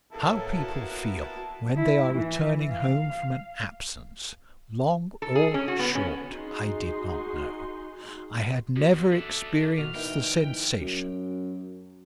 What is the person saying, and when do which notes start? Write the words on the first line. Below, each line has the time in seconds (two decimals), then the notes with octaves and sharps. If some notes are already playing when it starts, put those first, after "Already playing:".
How people feel when they are returning home from an absence, long or short, I did not know: I had never experienced the sensation.
0.13 A2 A#3 B3 E4 A4
0.56 F#4 A5
1.77 E4
2.15 E3
2.70 F5
5.22 A4
5.35 G#4
5.54 C#4
5.68 F#4
5.79 B3
5.95 C#4
6.29 D#4 F#4 G#4 C6
8.76 F2 B3 F#4
9.12 D4 A4 E5
9.78 B2 F#4 F6
9.95 D2 E3 D#4 A#4 E5 G5
10.81 F#2